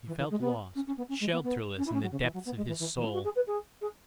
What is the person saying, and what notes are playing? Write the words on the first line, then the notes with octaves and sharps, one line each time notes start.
He felt lost, shelterless in the depths of his soul.
E3
E3
G#3
B3
C#4
C#4
B3
C#4
G#3
B3
B3
C#4
E4
C#4
F#3
C#3
E3
F#3
B3
G#3
E3
E3
E3
E4
F#4
G#4
B4
G#4
G#4